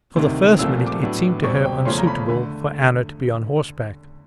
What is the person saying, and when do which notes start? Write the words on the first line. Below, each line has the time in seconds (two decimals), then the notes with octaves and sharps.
For the first minute it seemed to her unsuitable for Anna to be on horseback.
0.16 D2 C3 D#3
0.59 C2 A#2 F3 A3 E6
0.87 D6
1.01 A2 F#3 B3 D4
1.43 E2 B2 G3 C4 C#6
1.65 G5
1.85 E2 C#3 F3 A3 C#4 C6
1.98 A#5
2.07 B5
2.29 D3 A3 B5